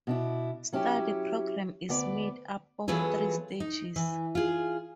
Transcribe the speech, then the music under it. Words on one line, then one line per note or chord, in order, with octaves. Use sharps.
The study programme is made up of three stages.
B2 D4 E4
F#3 C#4 E4 G4
D2 B3 D5
E3 F#3 B3 F4 G#4 A4
D#4
E3
F4 G#4